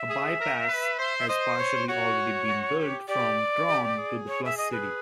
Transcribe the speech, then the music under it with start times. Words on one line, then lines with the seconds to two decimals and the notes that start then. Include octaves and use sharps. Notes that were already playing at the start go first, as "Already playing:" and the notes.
A by-pass has partially already been built from Traun to the "Plus City".
Already playing: E5
0.09 G#4
0.39 A#4
0.69 B4
0.99 C5
1.19 E5
1.28 C5 D#5
1.58 C#5
1.88 F#4 C#5
2.48 F#4
2.78 G4
3.08 G4 D5
3.68 G4
3.98 G#4
4.27 C#5
4.45 E5
4.58 D#5
4.72 B4